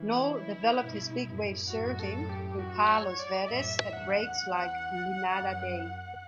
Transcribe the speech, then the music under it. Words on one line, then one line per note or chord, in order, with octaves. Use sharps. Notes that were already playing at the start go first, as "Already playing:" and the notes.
Noll developed his big wave surfing in Palos Verdes at breaks like Lunada Bay.
Already playing: C#3 E3 E4
G2 B2
F#2 A2
F#2 A2 F#4
A4
G4
F#4
C#5
D5
F#2 A2 E5
E2 G2 F#5
E2
F#2